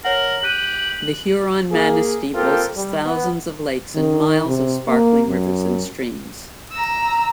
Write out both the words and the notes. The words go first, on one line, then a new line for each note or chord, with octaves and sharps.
The Huron-Manistee boasts thousands of lakes and miles of sparkling rivers and streams.
A#4 C#5 F#5 F#7
G4 F#6 D#7
A#3 G#4
A#3 C4 F4 G4 A4 A#4
G3
B3
D#3
C3
A#3
F#2
A#5 E6